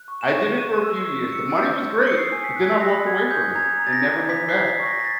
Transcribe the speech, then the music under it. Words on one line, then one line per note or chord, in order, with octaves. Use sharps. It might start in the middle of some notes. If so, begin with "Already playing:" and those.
I did it for a few years the money was great, but then I walked away from it, and never looked back.
Already playing: F#6
C#6
E7
C#6
C#6 D#7
E6
C#6
E6 C#7
G6
E6
D#6 C#7
C7
C#7
G#5
B6
F#6
D#6 A#6
G#5 G#6
D#6 G6
A#5 G#6
A#5
A6
A#6
A#5
A#5 B6
C7
A#5
B6
C#6
A#6
A#6
A6